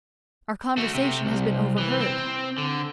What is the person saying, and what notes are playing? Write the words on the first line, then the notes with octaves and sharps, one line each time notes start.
"Our conversation has been overheard."
A3 F#4
C3
C2
E3
C4
D3